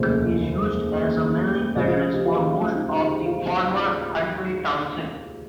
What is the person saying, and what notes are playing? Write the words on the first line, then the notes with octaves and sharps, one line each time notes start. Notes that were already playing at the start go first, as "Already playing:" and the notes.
Carp is used as a mailing address for most of the former Huntley Township.
Already playing: F1 D#2 C#3 F3 C5
C#2 C3 F3 D#5
F4
F4
G4
F4
D#4
F4